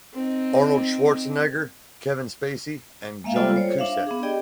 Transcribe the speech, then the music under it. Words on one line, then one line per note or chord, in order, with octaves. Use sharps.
Arnold Schwarzenegger, Kevin Spacey, and John Cusack.
C4 D#4
G#3 A#3 E5 F5
G3 B3 F4 A4 D5 G5
C5 C#5
D4 E5 F5
B3 D4 G#4
G4 G#4 D5 D#5 G5